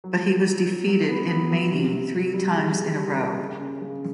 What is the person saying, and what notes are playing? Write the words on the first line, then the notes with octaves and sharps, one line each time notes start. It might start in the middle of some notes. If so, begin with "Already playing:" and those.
But he was defeated in Mani three times in a row.
F#3
F#3
F#3
F#3
F#3
B3
B3
F#3
C3
C3
C3
G3
G#4
G#4
G3
A#3
C#3
C#4
C#3